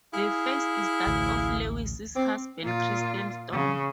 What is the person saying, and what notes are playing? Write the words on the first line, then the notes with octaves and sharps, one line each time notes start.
The face is that of Lewis's husband, Christian Storm.
E4 G#4 F5
A1 D2
C4 D6
A#2 F4
C#3